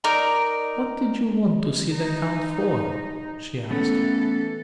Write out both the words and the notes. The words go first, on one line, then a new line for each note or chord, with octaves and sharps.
"What did you want to see the count for?" she asked.
D#4 A#4 D5 A#5
D#4
E3 A3 B3 C#4 A4